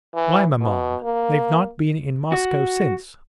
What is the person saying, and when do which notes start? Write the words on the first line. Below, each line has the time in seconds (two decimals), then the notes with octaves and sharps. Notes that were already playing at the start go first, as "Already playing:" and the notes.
Why, maman, they've not been in Moscow since!
0.15 E3
0.61 B2
1.03 A#3
2.32 F#4